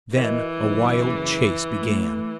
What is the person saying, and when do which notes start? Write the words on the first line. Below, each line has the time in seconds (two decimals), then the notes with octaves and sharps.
Then a wild chase began.
0.14 E3 F#4 A#4 D#5
0.58 F#1
1.82 A3